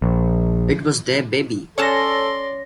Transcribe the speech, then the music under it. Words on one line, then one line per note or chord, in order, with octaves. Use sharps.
It was their baby.
A#1
C#4 A4 C#5 D5 F#5 A5 C6 A#6